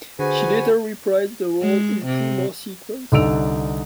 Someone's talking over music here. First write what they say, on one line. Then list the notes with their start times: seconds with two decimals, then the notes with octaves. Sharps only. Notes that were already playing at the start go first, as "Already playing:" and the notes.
She later reprised the role in two more sequels.
0.19 D3 F#4 G#4 B4 C5 G#5
1.61 G#3
2.05 C3
3.12 C2 D3 D#4 E6 D7 F7